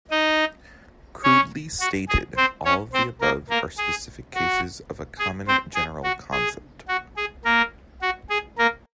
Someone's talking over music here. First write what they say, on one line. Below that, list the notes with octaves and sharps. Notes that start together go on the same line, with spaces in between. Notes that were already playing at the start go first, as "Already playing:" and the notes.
Crudely stated, all of the above are specific cases of a common general concept.
D#4 D#5
C#4 C#5
F#4
G#4
C4 C5
C#4 C#5
C4 C5
A#3 A#4
A#3 A#4
G#4
F#4
G#4
C4 C5
G#4
F#4
G#4
F#4
G#4
A#3 A#4
F#4
G#4
A#3 A#4